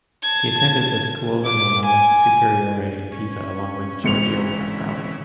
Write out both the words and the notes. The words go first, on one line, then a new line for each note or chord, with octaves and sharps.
He attended the Scuola Normale Superiore in Pisa along with Giorgio Pasquali.
A5 G#6
D6
G#5
C#4
G#1 C#3 E3 C#7 F7